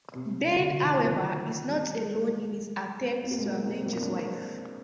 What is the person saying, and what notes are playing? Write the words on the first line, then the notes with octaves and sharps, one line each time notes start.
Ben, however, is not alone in his attempts to avenge his wife.
C3
D3
D3
D#3
F3
G3
G#3
C4
A#3
G#3
A#3
C4
A#3
C4
D4